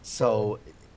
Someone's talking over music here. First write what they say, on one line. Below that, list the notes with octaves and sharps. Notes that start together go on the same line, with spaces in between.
So, eh eh
A#2 B4
A#2